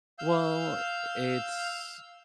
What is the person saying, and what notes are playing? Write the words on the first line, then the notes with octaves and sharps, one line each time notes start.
Well, it's
F5 E6 G6